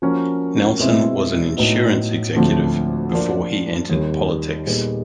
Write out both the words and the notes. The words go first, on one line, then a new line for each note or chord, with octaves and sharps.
Nelson was an insurance executive before he entered politics.
F3 A#3 C#4 F#4 A#4
B2 G#3 C4 E4
A2 F#3 B3 D#4
D2 D3 F3 A3 C4
F3 A#3 D4 F4
D#2 D#3 G3
A#2 G3 B3 D#4 G#4